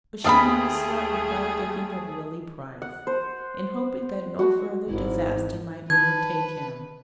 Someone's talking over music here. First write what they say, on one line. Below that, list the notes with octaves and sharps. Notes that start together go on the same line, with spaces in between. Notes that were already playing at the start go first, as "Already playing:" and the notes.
But she never slept without thinking of Willie Price, and hoping that no further disaster might overtake him.
D#2 A3 D4 G#4 F5 B5 D#6
F#5
C5
F#4
G#1 E4
D#3 B4 A5 G#6